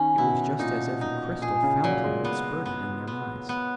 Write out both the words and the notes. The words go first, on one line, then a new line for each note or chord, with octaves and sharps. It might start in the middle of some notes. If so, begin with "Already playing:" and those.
It was just as if a crystal fountain had spurted in their eyes.
Already playing: D#3 C#4
B2 E4
A#2 D#4
D#4
A#2 G#4
C#3
A#2 F#3
G#3
B3
B3
B3
B3